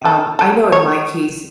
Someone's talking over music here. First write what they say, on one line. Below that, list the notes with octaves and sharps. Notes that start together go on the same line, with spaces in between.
Um, I know in my case,
A4
A4
C#5